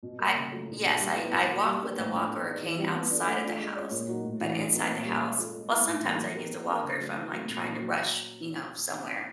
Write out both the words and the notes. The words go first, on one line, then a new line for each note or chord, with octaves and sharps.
I Yes, I I walk with a walker or cane outside of the house, but inside the house well, sometimes I use a walker if I'm, like, trying to rush, you know, somewhere,
B2
G3 A#3
C#3
F#3 A3 C#4 F4
A#2
F3 A#3 D4 F#4
G3
B3 E4 G4 B4
B2
F#3 A#3
G3
A#3 D4 G4 B4
A2
F3 A3 D4
B3
D#4 G#4 B4 D5
E3
G3 C4 F4
B3
D4 F4 A4
A3
D4 F4
G#3
C#4 F4 G#4 C#5
A#2
F#3 A#3 D#4 F#4
A2
E3 A3 D4 F#4
A3
C4 D#4 F#4 B4
A#2
G3 A#3 C#4
G#3
C#4 F4 A4
G#3
B3 E4
A2
E3 G3 A#3
F#3
B3 D#4 G4 A#4
A#3
D4 F#4 A#4
C#3
F#3 A3 D4
D#3
F#3 A3 C4
A#2
F#3 A#3 C#4
F#3